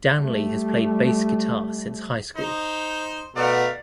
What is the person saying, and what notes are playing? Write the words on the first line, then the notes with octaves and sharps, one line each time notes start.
Danley has played bass guitar since high school.
G3 A3
D#4 C5
B2 A3 A#4 D5 F5 F#5